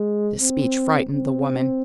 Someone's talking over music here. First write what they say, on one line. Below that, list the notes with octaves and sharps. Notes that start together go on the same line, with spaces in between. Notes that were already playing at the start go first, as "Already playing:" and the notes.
This speech frightened the woman.
Already playing: G#3
C4
C4